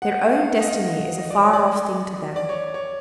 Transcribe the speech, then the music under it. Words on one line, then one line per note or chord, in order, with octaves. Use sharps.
Their own destiny is a far-off thing to them.
F#5
F5
D#5
D#5
D5
C#5
D5
D5
C#5
C#5